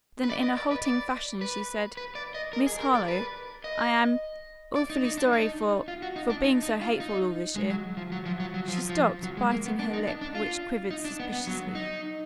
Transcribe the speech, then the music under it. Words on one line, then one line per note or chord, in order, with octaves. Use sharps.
Then in a halting fashion she said: "Miss Harlowe, I--am--awfully sorry for--for being so hateful all this year." She stopped, biting her lip, which quivered suspiciously.
B4
D5
D#5
D5
B4
D5
B4
B4
D5
D#5
A#4
G#4
A#4
D5
B4
D#5
D5
D#4
D#4
D4
D#4
F4
F#4
D#4
D4
D#4
D#4
F4
D#4
G#3
F#3
F3
F#3
F3
F#3
F#3
F3
F3
F#3
G#3
A#3
B3
D4
D#4
D4
D4
F4
D#4
D4
B3
B3
F#3
D#4